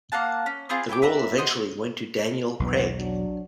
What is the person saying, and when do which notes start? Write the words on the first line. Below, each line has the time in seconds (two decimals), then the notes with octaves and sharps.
The role eventually went to Daniel Craig.
0.12 A#3 F5 F#5 A5
0.46 C#4
0.69 B3 C4 F4 G#4
0.89 E4 C#5 G5 D6
1.02 B4 E5 A#5
1.38 F#4 C5 D#5
2.60 B1 E2 E3 B3 D4
2.97 F#3 D4